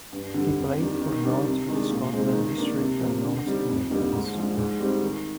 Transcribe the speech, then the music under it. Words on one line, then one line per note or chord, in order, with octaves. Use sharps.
He played for North of Scotland District and North and Midlands.
G2
D3 G3
F2
D#3 G3 D4
D#3
G3 D4
C3
D#3 G#3 D4
A#2
G#3 C4 D#4
D#3
A#3 D4
C3
F3 A#3
D3
G3 C4 D#4
F2
D3 G3 A#3 D#4
G#2
F3 G#3 D4
G#2
G3 C4 D#4
D#3